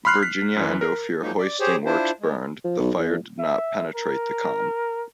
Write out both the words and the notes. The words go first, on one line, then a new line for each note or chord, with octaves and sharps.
Virginia and Ophir hoisting works burned, the fire did not penetrate the Con.
B5 C6 F6 F#6 C7
B6
F#2 E3
A#4
F3 F#3 G#3 A#3 D#4
D5
G4 G#4 C5 C#5
D4 E4 F4 C5
G#3
F3
B1
E2
E5
A#4